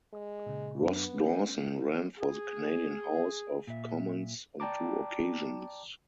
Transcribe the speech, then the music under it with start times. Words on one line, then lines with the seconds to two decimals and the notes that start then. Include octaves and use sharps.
Ross Dowson ran for the Canadian House of Commons on two occasions.
0.13 G#3
0.46 A#2 C#3
0.82 F#2 F#3 B3 D4
1.21 C#4 G6
2.18 G#4
3.67 A#2 E5
4.60 D5 G5 A5 A#5 D6